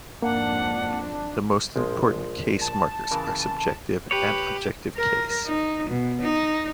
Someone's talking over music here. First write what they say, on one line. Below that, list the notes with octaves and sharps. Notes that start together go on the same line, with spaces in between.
The most important case markers are subjective and objective case.
F2 G#2 A#3 D4 F#5
A#1 F3 G#3
A5
C#3 E3 A#4
G4 B4 C#5
A#4
D#4
B2
D#4